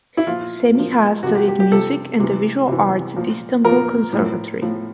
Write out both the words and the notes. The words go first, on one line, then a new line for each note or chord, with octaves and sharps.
Semiha studied music and the visual arts at Istanbul Conservatory.
E4
A#2 F3 F4
A#2 F3
C3 F3 F#4
G4
G4
G4
C3 F3 A4
C3 E3
C3 E3
A#2 F3
A#2 F3 A#4
A2 F3
A2 F3